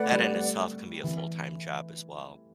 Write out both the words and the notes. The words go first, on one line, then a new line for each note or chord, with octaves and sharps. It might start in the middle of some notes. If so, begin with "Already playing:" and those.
that in itself can be a full-time job as well.
Already playing: A3 B4 D5 F#5
G3
E3